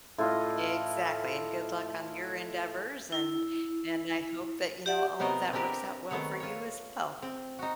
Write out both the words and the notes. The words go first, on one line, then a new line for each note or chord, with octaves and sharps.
Exactly, and good luck on your endeavors, and and I hope that, you know, all of that works out well for you, as well.
A2 F4 D#5
E4
G4 D5 E5 F#5
C3 B3 D#4 A#4 C5 D#5
C4 D4 G4 A#4 B4
D#3 A3 B3 C4 C#5
F4 C#5
C4
D#4 F#4